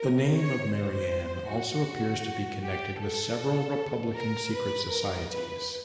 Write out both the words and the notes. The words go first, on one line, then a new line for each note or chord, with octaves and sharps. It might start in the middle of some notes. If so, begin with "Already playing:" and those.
The name of Marianne also appears to be connected with several republican secret societies.
Already playing: A#4
C#5
C5
F#4
G4
A4
A#4
B4
A#4
B4